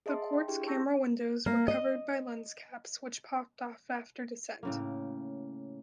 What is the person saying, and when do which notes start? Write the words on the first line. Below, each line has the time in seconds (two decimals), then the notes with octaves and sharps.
The quartz camera windows were covered by lens caps which popped off after descent.
0.06 G#4 D#5 E5 A5 C6
0.32 G5 C6
0.48 D4 E4 G4 G#4 G5
0.67 A5 C#6 E6 G6 A#6
1.46 A#3
1.68 D#5
4.63 A2 C#3 A#3